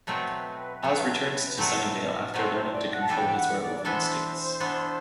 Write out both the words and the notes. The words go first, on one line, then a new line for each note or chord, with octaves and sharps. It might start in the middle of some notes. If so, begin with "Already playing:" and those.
Oz returns to Sunnydale after learning to control his werewolf instincts.
B2 F#3 A3 C4 B4
B2 F#3 A3 C4
B2 F#3 A3 C4
B2 F#3 A3 C4 C5
C5
C5
D5
F#5
A5
E3 B3 D4 A4 G5
F#5
D5
D5
E3 B3 D4 A4 C5
E3 B3 D4 A4